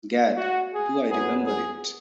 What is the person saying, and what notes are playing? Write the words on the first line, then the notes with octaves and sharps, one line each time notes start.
Gad, do I remember it.
F#4
G#4
F#2 F#3 B3 G#4
G#4